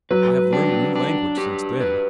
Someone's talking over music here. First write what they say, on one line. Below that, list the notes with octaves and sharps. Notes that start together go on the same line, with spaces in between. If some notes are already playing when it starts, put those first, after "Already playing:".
I have learned a new language since then.
F#3 B4
D4
D4
G4
B4